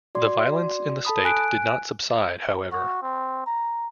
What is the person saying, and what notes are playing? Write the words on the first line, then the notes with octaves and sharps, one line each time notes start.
The violence in the state did not subside, however.
F#4 D5 C6
A4 A5 B5 D#6
G#5 F#6 D7
F#4
C4
A#5